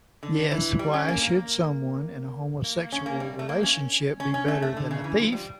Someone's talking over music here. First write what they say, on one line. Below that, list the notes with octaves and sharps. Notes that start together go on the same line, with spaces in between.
Yes, why should someone in a homosexual relationship be better than a thief?
D3
E3
G3
C#4
A#3
A#3
A#3
A#3
C#4
A#3
G3
A3
A#3
C#4
C#4
C#4
A3
A3
D3
C#3
E3
F3
G3